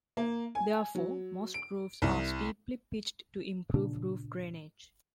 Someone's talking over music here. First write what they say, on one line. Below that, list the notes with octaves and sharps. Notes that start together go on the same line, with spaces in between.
Therefore, most roofs are steeply pitched to improve roof drainage.
A#3
G#5
F#3
D7
C2
A#2 C#3 D4